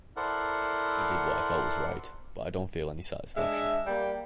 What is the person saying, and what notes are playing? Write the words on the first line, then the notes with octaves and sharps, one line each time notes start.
I did what I felt was right, but I don't feel any satisfaction.
E4 A4 A#4 C5 D5 F#5
G#3 D4 E5
G3 A#3 G5